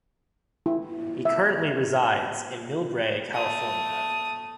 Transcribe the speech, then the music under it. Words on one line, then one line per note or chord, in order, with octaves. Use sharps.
He currently resides in Millbrae, California.
E4
E5
A3 D#6